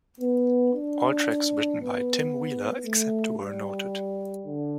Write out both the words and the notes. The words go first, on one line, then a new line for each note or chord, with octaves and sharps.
All tracks written by Tim Wheeler except where noted.
B3
D4
B3
A3
G3
D3